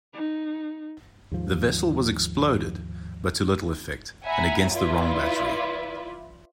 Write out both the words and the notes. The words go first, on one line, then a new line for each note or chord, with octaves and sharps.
The vessel was exploded, but to little effect and against the wrong battery.
D#4
D#2 G#2 F3
E5 F#5 G#5 A#5 B5
E4 F4 B4 D5 E5